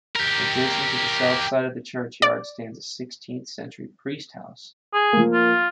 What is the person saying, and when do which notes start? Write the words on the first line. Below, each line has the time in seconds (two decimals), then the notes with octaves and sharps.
Adjacent to the south side of the church yard stands a sixteenth-century priest house.
0.16 G4 A#4
2.22 D5
4.94 G#4
5.13 F3 A#3
5.33 F4